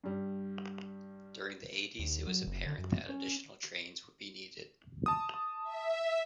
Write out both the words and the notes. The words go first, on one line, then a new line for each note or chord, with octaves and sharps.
During the eighties it was apparent that additional trains would be needed.
G2 G3
D#2
F#3
F#1
D3
F#2
C#4
A5 D#6
E5